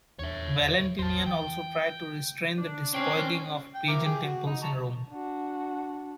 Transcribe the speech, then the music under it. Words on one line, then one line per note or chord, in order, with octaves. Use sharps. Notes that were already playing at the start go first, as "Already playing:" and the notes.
Valentinian also tried to restrain the despoiling of pagan temples in Rome.
D#1 E2 D4 C#5 E5
A1 E2 C5 A5
E3 G5
D4
C#4 C5 G5
G5
E4 A#4 D6
G#4 G5 D6
F#4
D#4
A5 A#5 C#6
D4 F#4